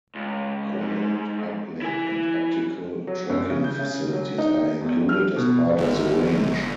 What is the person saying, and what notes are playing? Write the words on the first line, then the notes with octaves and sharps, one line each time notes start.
Command uplink and optical tracking facilities are included as part of the range.
C#2
G#2
E4 G#5
F#3
F#2
C#3
G6
C#3
F#3
D#4
E2
F6
B2
G1